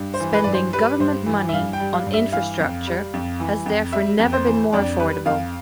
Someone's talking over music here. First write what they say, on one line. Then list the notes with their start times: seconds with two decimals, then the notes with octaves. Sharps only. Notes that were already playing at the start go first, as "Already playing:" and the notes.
Spending government money on infrastructure has therefore never been more affordable.
Already playing: G2
0.14 C5
0.20 E3
0.33 B4
0.44 G2 D5
0.54 C5
0.73 G3 B4
1.00 G2 C5
1.26 E3
1.49 E5
1.53 G2 F5
1.73 G5
1.80 G3
1.93 F5
2.06 G2
2.14 E5
2.32 E3 F5
2.60 F2
2.87 G3
3.13 F2
3.40 E3
3.66 F2
3.92 G3 E5
4.19 F2
4.33 C5
4.47 E3
4.73 F2 D4
5.00 G3 B4
5.25 F2 F5